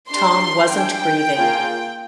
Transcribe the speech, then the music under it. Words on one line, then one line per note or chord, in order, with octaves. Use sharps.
Tom wasn't grieving.
D4 G4 C6
D4 G#4 G5
A#3 F4 G#4